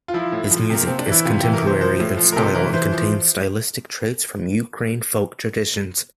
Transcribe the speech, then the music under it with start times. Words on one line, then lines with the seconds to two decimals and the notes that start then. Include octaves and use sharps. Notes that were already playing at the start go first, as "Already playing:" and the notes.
His music is contemporary in style and contains stylistic traits from Ukrainian folk traditions.
0.08 F4
0.14 F3 E4
0.32 A2
0.51 F3
0.70 C3 A#3
0.87 C3 C4
0.99 D4
1.06 E3
1.12 E4
1.25 C3 F4
1.39 G4
1.43 E3
1.53 A#4
1.62 C3
1.67 C5
1.81 F3 C5
2.00 A2
2.17 F3
2.32 A#4
2.36 C3 A4
2.54 E3 A#4
2.73 E3 C5
2.92 F3